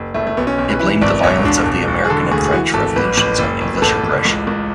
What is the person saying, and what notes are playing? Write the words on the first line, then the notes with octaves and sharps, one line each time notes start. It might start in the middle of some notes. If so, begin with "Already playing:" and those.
It blamed the violence of the American and French revolutions on English aggression.
Already playing: F#1
F#1 A3
A3
B1 B3
C#4
B1
B4
E3 B4
G#1 D5
E1 C#5
E1 D4
E1
E1
G#4
D3 A4
D2 G#4
G#4
E3 F#4
G#1 A4
A1 B4
A1
F#1
F#1
B4
A1 A4
A1
C#2
C#2